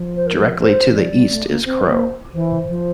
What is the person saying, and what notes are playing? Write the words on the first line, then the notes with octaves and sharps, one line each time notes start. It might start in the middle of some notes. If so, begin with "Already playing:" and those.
Directly to the east is Krogh.
Already playing: F3
C5
A#4
C5
E3
F3 D5
G3
A3
A#3
C4 C5
A#3
E3 C5
F3